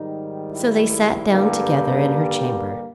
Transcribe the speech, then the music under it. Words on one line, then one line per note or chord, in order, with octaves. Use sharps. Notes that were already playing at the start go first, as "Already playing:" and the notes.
So they sat down together in her chamber.
Already playing: G#2 D#3 G3 D#4
E4
G2 D3 G3 A#3